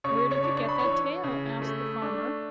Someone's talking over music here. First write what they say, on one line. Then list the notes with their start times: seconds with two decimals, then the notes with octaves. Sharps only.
"Where did you get that tail?" asked the farmer.
0.04 C#3 C#5 C#6
0.31 C#5 C#6
0.44 D4
0.57 C#6
0.69 B5
0.79 E3 C#5 C#6
1.23 C#3
1.62 A3
2.02 D4